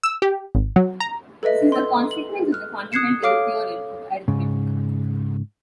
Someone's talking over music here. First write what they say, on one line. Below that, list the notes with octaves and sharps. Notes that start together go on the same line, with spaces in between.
This is a consequence of the fundamental theorem of arithmetic.
E6
G4
G#1
F#3
A#5
A4 B4 D#5 E5
C6 E6
F#7
F6 F#6
D#6 F#6 G#6 C7 C#7 E7
A4 C#5 F5 D6 F6 D7
G#2 C#3